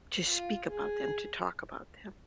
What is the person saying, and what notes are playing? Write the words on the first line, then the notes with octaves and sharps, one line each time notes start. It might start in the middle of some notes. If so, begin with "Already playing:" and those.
to speak about them, to talk about them,
F4
G#4